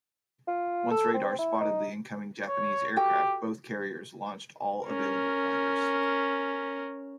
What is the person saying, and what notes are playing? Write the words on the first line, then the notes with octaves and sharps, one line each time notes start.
Once radar spotted the incoming Japanese aircraft, both carriers launched all available fighters.
F4
A4
C4
E4
D#4
C#5
F#4 G4 A4 G5
C#4 A#4